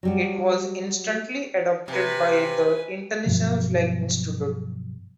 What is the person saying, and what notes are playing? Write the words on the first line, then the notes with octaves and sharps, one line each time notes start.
It was instantly adopted by the international Flag Institute.
F#3 G3 F#4
C3 B4 G#5
G2 B2 F3 F#3